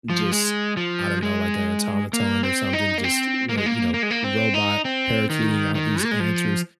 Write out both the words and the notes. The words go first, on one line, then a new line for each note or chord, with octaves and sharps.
just, I don't know, like an automaton or something, just r r you know, robot parakeeting out these answers.
F3
G#3
F3
G#3
A#3
C4
D#4
A#3
C4
A#3
G#3
A#3
A#3
G#3
A#3
C4
D#4
C4
D#3
D#3
A#3
G#3
F3